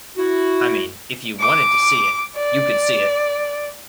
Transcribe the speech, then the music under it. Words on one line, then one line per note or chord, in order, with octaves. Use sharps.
I mean, if you wanted to see it, you could see it.
E4 F#4
D6
D5